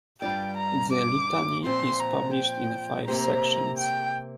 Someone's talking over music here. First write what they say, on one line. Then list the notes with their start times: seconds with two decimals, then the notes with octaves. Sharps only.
The litany is published in five sections.
0.22 G2 G3 D4 F4 D5 G5
0.57 A#5
0.93 D6
1.65 A#2 F3 C4 C6
2.00 A#5
2.36 G5
3.07 C3 A#3 G4 C5 A#5
3.78 G5